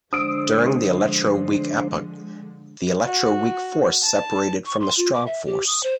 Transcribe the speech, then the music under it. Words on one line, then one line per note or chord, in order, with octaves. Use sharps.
During the electroweak epoch, the electroweak force separated from the strong force.
D3 F3 G#3 D4 C5 D#6 E6 D7
F#4
A5
C#6
C6
F4
D6
E5
G4
D#6
C5